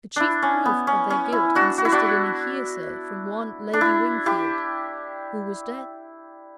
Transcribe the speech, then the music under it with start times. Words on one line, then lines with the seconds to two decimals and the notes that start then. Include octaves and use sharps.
The chief proof of their guilt consisted in a hearsay from one Lady Wingfield, who was dead.
0.16 D4 E4
0.42 C#4
0.65 B3
0.87 C#4
1.10 C#4
1.33 E4
1.55 D4 F#4
1.78 F#4
1.85 E4
1.92 D4 F#4
3.73 D4
3.81 E4
4.26 E4 G4